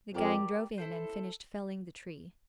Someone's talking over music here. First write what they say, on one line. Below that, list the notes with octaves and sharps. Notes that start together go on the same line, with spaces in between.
The gang drove in and finished felling the tree.
F2 G4 A#4 D5
E4 A4 C5